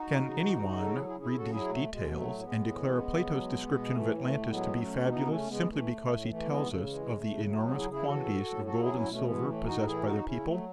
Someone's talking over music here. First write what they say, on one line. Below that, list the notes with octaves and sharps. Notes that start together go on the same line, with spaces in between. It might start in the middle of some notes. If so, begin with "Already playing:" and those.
Can any one read these details and declare Plato's description of Atlantis to be fabulous, simply because he tells us of the enormous quantities of gold and silver possessed by the people?
Already playing: D#4 F#4
C#3
E3
C#3
C#3
A4
F#3 E4 G#4
A4
E4 G#4
C#3
E4 G#4
C#3 F#4 A4
F#3 E4 G#4
B2 A3
B2 G#3
F#3 A3
A2
G#3 B3
A2
E3
C#3
C#3
F#3
B2
B2
E3 A3
A2
A3
A2
F#3 G#3 B3
B2
A3 C#4
B2
E3 B3 D#4
C#3 A3 C#4
C#3 G#3 B3
E3 A3
A2
A2
E3 A3
C#3 G#3 B3
C#3 A3
A3
E3 G#3
C#3
A3
C#3
F#3 A3
G#3 B3
C#3
E4 G#4
C#3
E4 G#4
E3 F#4 A4
A2
A2
F#3 F#4 A4
E4 G#4
B2
C#4 E4
B2 A3 C#4
E3 G#3 B3
A2 A3
A2 D#4 F#4
E3 E4 G#4
C#3 D#4 F#4
C#3 C#4 E4
F#3 A3